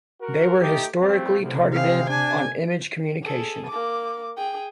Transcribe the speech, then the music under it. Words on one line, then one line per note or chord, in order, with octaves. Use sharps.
They were historically targeted on image communication.
F#4 A#4
A3 D#4 G4
F3 A3 C4
D2 A2 C3
A2 G#3 C4 F5
D4 G#5
G#4 A4
A#3 D6
G#4 G5